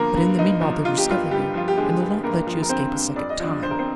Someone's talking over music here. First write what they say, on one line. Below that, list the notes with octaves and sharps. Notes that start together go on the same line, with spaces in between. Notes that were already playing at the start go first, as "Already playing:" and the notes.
"But in the meanwhile they'll discover you, and they'll not let you escape a second time."
Already playing: G2 D3 F3 A#3 A#4
G2
G2 D#4
F3
D3 F4
G4
G2 F4
G2 G3 G4
F3 F4
G4
D3 G#3 G#4
G2
G2 A#3 A#4
F3
A#4
D3 C4 C5
G2
F2 D5
D#5
F3 D4 D5
D3 C5
A#4
C4 C5